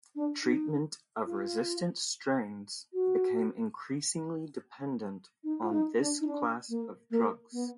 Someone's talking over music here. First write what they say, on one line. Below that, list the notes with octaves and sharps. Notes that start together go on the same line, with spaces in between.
Treatment of resistant strains became increasingly dependent on this class of drugs.
D4
D#4
F4
F#4
D#4
F4
D#4
D4
D#4
D4
A#3
A#3
B3